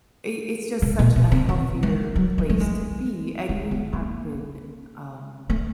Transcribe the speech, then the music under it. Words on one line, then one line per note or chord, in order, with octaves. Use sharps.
i it's just such a healthier place to be, and we have been, um,
C3
A#2
B2
C3
E3
E3
F#3
G3
A3
G#3
C4
B3
A#3
A3